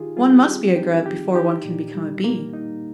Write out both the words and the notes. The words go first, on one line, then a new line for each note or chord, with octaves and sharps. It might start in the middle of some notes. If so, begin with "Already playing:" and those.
One must be a Grub before one can become a Bee.
Already playing: D#3 D#4 F4 G4 G#4
G3 F4 G#4
C4 G4
D#4 G4
D#3 G4
D#4 G4
A#2
G3
A#3
D#4